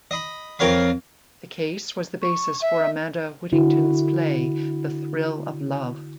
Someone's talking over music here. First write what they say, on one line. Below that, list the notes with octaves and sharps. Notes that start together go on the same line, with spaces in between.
The case was the basis for Amanda Whittington's play "The Thrill of Love".
D#5 B5
F2 A#4 C#5 F5 B5
C#6
E5
D3 E4 F#4